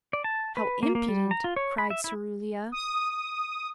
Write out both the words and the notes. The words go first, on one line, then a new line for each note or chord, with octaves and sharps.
"How impudent!" cried Cerulia.
D5
A5
B4
A#3
A#3
G3
A#5
F4
C#5
B5
E5
E4
D#6